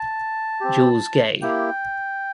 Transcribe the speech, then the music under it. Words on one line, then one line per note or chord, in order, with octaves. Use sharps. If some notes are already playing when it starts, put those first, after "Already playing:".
Jules Gay.
Already playing: A5
C4 G4
A#3 E4 G4 G5